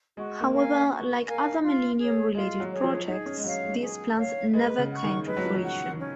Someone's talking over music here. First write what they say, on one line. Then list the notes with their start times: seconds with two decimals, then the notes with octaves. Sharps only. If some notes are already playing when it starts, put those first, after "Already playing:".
However, like other Millennium-related projects, these plans never came to fruition.
0.17 G#3 F#4
0.41 A#3
0.53 A#4 F5 G#5
0.89 F#4
1.26 A#4 F5 G#5
1.63 F4
1.99 G#4 C#5
2.35 G#3 F4
2.60 F#3
2.71 G#4 C#5
2.83 F3
3.08 D#4 G#4
3.26 C#4
3.38 G#3
3.44 F#3 C#5 F5
3.63 G#3
3.81 G#4
4.17 C#5 F5
4.53 G#3 B4
4.78 C#3
4.90 F#5 C#6
5.03 D#3
5.26 G#3 B4
5.37 F#3
5.46 F3
5.55 F#3
5.63 F#5 C#6
5.99 C#4